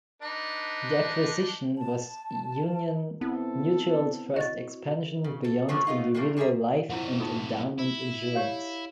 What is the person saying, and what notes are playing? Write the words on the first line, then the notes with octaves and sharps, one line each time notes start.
The acquisition was Union Mutual's first expansion beyond individual life and endowment insurance.
D4 D#4 B4
A5
B3 C4 E4 A4
F#4 D#5 A6
C#3
A4
C3 F3 F#3 A3 A#3 C#4
A3 B3 D#4 F4
C3 E3 A3 A#3
F#2 G3 G#4 A#4 E5
A3 C4 E4 F4 F#5
D#4 F4 A4
E4
G4 C#5 F5